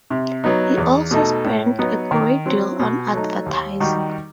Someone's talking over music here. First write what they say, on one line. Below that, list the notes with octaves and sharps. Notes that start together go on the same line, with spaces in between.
He also spent a great deal on advertising.
C3
F#3 B3 D#4
E2
B2 A3 D#4 A4
A2
F#3 B3 D#4
D#3
F#3 C4
B2
F#3 A3 D#4
D#2
D#3 G3 D#4 F#4